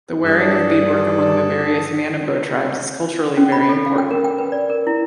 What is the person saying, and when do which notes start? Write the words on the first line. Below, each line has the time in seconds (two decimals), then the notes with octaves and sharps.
The wearing of beadwork among the various Manobo tribes is culturally very important.
0.25 G2 G#4 A4 D5 A5
3.37 C#4
3.52 B5
3.69 A4
3.86 F5
3.98 G5
4.11 A#4
4.24 G5
4.38 B4
4.52 D5
4.70 A#4
4.87 E4